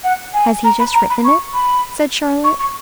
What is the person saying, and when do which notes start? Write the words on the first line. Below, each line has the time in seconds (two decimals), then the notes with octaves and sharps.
'Has he just written it?' said Charlotte.
0.04 F#5
0.34 G#5
0.64 A#5
0.80 B5
0.94 A#5
1.10 B5
1.25 C#6
1.54 B5
2.44 C#6
2.60 C#6